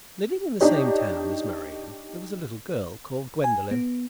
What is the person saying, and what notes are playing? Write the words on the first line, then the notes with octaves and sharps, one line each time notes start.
Living in the same town as Marian there was a little girl called Gwendolen.
D4 D#4 G4 C#5
G#5
B3